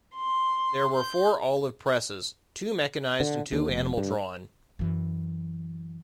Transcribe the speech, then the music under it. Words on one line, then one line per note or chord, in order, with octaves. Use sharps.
There were four olive presses: two mechanized and two animal-drawn.
C6
C6 G6
D3
D#2
F1
G2
F#2 E3